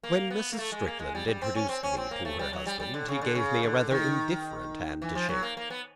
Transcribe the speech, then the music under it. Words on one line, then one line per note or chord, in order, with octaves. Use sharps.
When Mrs. Strickland introduced me to her husband, he gave me a rather indifferent hand to shake.
A#3
B3
A#3
A3
G#3
A#3
G#3
G3
G3
C4
C#4
C4
C#4
C4
A#3
A3
G3
F#3
G3
G3
D3
C#3
D3
C#3
D3
D#3
E3
F3
F#3
A#3
A#3
B3